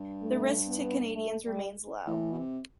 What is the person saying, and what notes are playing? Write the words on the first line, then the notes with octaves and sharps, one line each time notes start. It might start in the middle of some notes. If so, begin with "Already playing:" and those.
The risk to Canadians remains low.
Already playing: G2
A3
B3
A3
G3
A2 E3
B2
C3